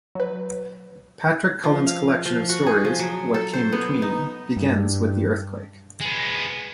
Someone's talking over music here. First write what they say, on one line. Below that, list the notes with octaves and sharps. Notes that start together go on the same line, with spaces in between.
Patrick Cullen's collection of stories, "What Came Between", begins with the earthquake.
F#3 B4
F3
F5
F3
F#4
G#4
F3
F#3
A4
C5
B3
D#4
G2
G#3 B3